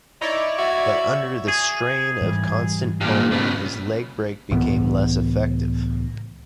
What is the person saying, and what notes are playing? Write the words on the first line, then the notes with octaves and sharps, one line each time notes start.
But under the strain of constant bowling, his leg break became less effective.
D#4 E4 C#5 D5
F#4 E5
G#4
G#2 E3 G3
G2 A#2
C#3 B3
C#2 A2 E3 B3